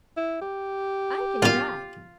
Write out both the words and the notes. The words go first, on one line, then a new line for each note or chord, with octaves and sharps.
I can drive.
E4
G4
B1 A#2 F4 F5